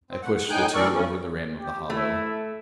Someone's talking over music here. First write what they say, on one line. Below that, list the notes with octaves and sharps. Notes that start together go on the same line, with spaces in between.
I pushed the two over the rim of the hollow.
C4
A3 F#5
F#5
A2 D#4 G5 G#5 F#6 G6
D2 E3 A4 A#4 D5 C#6
G2 C#4
G4
A3 E4